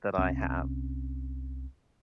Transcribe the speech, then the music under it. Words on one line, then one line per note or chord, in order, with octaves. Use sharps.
that I have
C2 C4 C#4